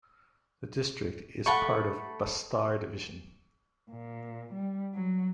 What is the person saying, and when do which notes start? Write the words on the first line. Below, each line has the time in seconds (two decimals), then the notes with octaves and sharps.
The district is part of Bastar Division.
1.46 A3 A4 F5 F#5 B5 C#6
3.89 A#2
4.53 G3
4.94 F#3